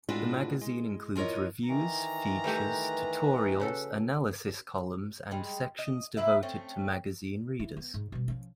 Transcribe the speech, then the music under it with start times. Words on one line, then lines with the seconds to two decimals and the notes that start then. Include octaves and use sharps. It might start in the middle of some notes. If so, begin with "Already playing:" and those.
The magazine includes reviews, features, tutorials, analysis columns and sections devoted to magazine readers.
0.09 A2 G#3 D4 F4 F#4 B4
0.61 G#3
1.16 E2 F4 A#4 C#5 D#5
1.68 D#3 E3 A#5
2.44 G3 A3 G4 B4
3.60 C#3 F#4 A4
5.31 G3 G#3
5.79 D#5
6.17 A#3 E4 B4 E5
6.43 A3 C4 C#4
7.60 E4
7.76 B3
7.94 G#2
8.12 B2 G3
8.28 F3 C#4